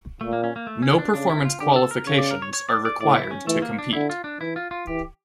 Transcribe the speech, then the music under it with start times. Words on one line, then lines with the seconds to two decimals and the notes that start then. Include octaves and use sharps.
No performance qualifications are required to compete.
0.21 A#2 A3
0.33 A#3
0.44 C#4
0.56 A#3
0.67 A3
0.82 C#4
0.98 D4
1.14 C#3 D4
1.30 E4
1.45 F4
1.60 D3 G4
1.76 A4
1.91 A#4
2.06 C#3 C#5
2.18 D5
2.31 A#4
2.42 C#5
2.53 C#5
2.69 D5
2.85 D5
3.01 A2 D5
3.16 E4
3.31 C#4
3.46 E3 A3
3.62 A#3
3.79 D4
3.93 D3 E4
4.10 F4
4.24 D4
4.40 E3 E4
4.56 F4
4.71 F4
4.87 E3 G4